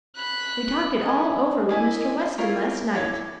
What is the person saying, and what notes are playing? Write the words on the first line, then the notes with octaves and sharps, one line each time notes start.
We talked it all over with Mr. Weston last night.
B5 F#6
D#5 G#5
E4 D#5 G#5 D6
E4 F4 A#4 C#5
E4 C#5 D6